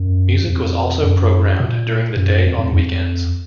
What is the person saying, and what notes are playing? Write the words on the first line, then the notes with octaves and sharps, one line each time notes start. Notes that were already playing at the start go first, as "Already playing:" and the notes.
Music was also programmed during the day on weekends.
Already playing: F#2
F2
F#2
A#2
F#2
F2
F2
F2